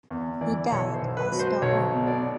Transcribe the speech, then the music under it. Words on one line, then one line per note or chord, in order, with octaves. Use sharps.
He died at Stockholm.
E2
E3 D5
B1 C#5
C5
B1
B4
F#3
C5
B1 C#5
B2
D5
B2